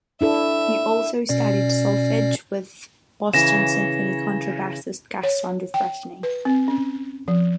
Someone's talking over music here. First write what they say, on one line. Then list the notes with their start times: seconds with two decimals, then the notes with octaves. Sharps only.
He also studied solfege with Boston Symphony contrabassist Gaston Dufresne.
0.21 D4 E4 A4 E5
1.29 B2 C#4 D5
3.34 C#3 E3 A#6 E7
5.23 C#5
5.74 G5
6.23 B4
6.45 C4
6.68 C#4
7.28 F3